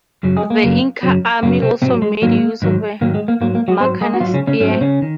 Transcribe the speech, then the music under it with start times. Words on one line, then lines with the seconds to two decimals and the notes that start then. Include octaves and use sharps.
The Inca army also made use of a 'macana spear'.
0.23 F#2 C#3 F#3
0.37 G#3 G#4
0.50 A#3
0.63 F#2 C#3 F#3
1.03 F#2 C#3 F#3
1.43 F#2 C#3 F#3 A#3
1.62 C3 C4
1.82 G#2 C3 D#3 C4
1.87 F#3
2.02 G#3
2.22 G#2 D#3 F#3 A#3
2.62 G#2 D#3 F#3
3.01 G#2 D#3 F#3 A#3
3.15 G#3
3.28 A#3
3.41 G#2 F#3 A#3
3.55 A#3
3.68 F#3 F#4
3.80 G#2 F#3 C4 C5
4.01 G#3 G#4
4.14 F#4
4.20 G#2 F3 F#3 F4
4.34 C#3 C#4
4.47 C#3 C#4
4.60 G#2 F#3 C#4
4.70 C4
4.81 C#3 C#4
5.02 D#3